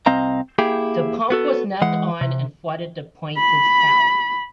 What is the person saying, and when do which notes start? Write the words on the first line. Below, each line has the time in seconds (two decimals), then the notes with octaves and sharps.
The pump was left on and flooded the plaintiff's house.
0.06 C2 C4 D#5 F5 A#5
0.59 A#3 E4 G4 G#4 G5
1.30 B3 F#4 A4
1.82 E3 G#3 F#5
2.21 C3
3.38 B5